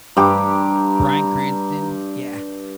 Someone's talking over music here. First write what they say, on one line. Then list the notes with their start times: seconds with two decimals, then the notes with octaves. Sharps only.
Bryan Cranston? Yeah,
0.17 G2 G4 A#5